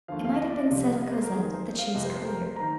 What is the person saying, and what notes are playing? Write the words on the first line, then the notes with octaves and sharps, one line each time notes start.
It might have been said of Cosette that she was clear.
D#2 D3 F3 F5
F5
D#5
D5
D#5
C2 C3 F3
D#5
C5
A#4
F2 D#3 G#4
A#4
C5
F5
F2 C3 F3 D#5
C5
C5
A#4
C5
D#3 A#5